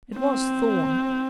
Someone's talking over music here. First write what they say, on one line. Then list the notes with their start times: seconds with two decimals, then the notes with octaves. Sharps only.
"It was Thorn."
0.17 C4